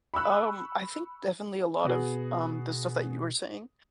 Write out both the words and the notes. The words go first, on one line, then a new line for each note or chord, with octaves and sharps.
Um, I think, definitely, a lot of, um, the stuff that you were saying,
B5 C#6 E6 F#6
B2 B3 F#4 G#4